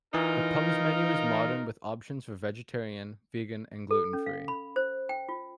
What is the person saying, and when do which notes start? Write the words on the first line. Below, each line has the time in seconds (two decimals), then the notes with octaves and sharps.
The pub's menu is modern, with options for vegetarian, vegan, and gluten free.
0.14 E3 D#4 F4 A#4
3.91 A4
4.13 C#4
4.26 F5
4.48 B5
4.76 C5
5.09 G5
5.29 F4